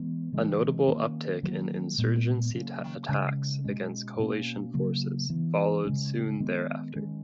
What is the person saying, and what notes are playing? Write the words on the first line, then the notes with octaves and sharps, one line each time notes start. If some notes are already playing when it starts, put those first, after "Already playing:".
A notable uptick in "insurgency" attacks against coalition forces followed soon thereafter.
Already playing: E3 G#3 B3
C#3 E3 G#3 C#4
D#3 A#3 C#4
D#3 F#3 A#3
A#2 G#3 B3
C#3 F#3 A#3 C#4
C#3 G#3 C#4
B2 G#3 C#4
B2 A#3 C#4
C#3 F#3 A#3
E3 B3
C#3 G#3 C#4
D#3 G#3 B3
D#3 G#3 C#4